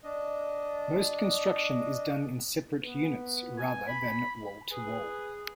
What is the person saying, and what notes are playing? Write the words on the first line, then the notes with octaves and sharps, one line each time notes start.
Most construction is done in separate units, rather than wall-to-wall.
D4 D#5
B3
G#5
B5
G#4 B4